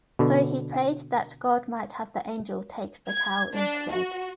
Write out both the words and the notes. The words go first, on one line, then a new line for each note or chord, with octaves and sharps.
So he prayed that God might have the angel take the cow instead.
B2 D3
G#6
D4
F#4